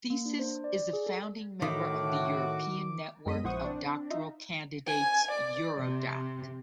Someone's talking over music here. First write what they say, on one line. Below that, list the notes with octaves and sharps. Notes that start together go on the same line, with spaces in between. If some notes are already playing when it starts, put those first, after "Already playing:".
Thesis is a founding member of the European network of doctoral candidates Eurodoc.
A#3
D4
C5
D5
D5
G#4
A4
A2 D#3 A3 F#4 D6
F#2 G#3 B3 D#5 B6 D#7
A#1 E4 C5 F#5 C#6 D#6
C4 D4
D#4 F4 E5
G#5
D5
C3